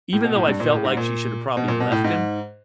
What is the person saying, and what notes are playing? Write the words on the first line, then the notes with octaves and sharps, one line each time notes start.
even though I felt like she should have probably left him,
A2
B2
A2
G2
A#2
A2
G#2
A#2
B2
A#2
B2
A2
G#2